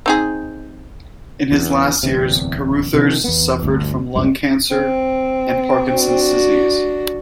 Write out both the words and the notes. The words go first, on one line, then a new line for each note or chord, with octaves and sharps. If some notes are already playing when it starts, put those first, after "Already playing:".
In his last years Carruthers suffered from lung cancer and Parkinson's disease.
C4 D#4 G#4
E2
D1 E2 C3
C3 D#3 F3
E2 B3
G1 D2
F#1 C#2 G2 C3
C4
D4 F#4